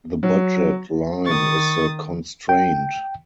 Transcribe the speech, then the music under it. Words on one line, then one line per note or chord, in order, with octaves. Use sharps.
The budget line is the constraint.
F#3
D#3 C#6 D#6 A6
G5